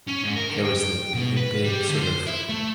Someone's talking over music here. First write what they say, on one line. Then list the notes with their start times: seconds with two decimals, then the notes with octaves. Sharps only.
there was the big big, sort of,
0.07 C#4
0.24 G#2
0.36 A#4
0.50 D3
0.65 G5
1.14 B2
1.37 B4
1.64 G3
1.89 D3
2.02 C5
2.27 E4
2.49 A3